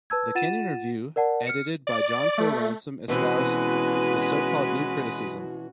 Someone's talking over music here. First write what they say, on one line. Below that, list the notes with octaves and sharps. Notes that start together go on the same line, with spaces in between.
"The Kenyon Review", edited by John Crowe Ransom, espoused the so-called New Criticism.
B4 A5 E6 G#6
F4 F#5 A6 D#7 E7
A#4 D5 F#5 A5
F6 C#7
D5
A3
B2 E3 G#3 C4 C#4 F#4 B4